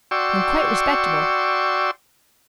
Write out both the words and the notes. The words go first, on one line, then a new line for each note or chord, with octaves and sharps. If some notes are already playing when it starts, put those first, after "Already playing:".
"I am quite respectable."
F#4 D5 G5 C6 C#6 E6